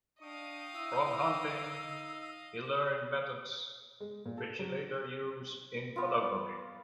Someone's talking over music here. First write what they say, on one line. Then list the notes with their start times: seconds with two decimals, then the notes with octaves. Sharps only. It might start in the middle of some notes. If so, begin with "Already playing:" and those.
From hunting, he learned methods which he later used in photography.
0.21 D4 D#5 F5 G5 C#6 D#6
0.75 E4 E6
1.27 D#4
4.00 G#3
4.26 A#2
4.38 A4
4.59 F#3
5.96 B3 F4